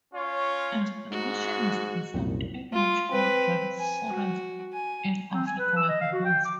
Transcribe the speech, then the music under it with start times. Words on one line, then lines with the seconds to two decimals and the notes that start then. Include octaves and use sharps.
A simulation was performed in which all rainforest in Africa were removed.
0.14 C#4 F4 C#5
1.11 G#2 F#4
2.14 C2 F#2 A#2
2.73 F4
3.12 C4 B4
3.79 G#5
4.09 F#4
4.73 G#5
5.34 C4
5.46 G#5
5.58 B4
5.76 E6
5.89 D#5
6.01 F5
6.13 F#4
6.25 G5
6.45 D6